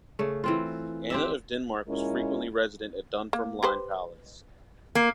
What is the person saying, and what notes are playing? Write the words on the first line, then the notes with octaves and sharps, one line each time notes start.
Anna of Denmark was frequently resident at Dunfermline Palace.
C#3 A3
E3 C4 F4
C4 G4 E5
A#2 G#3 C#4 E4 F4 A#4
A#3
G4 B4 C5
A#3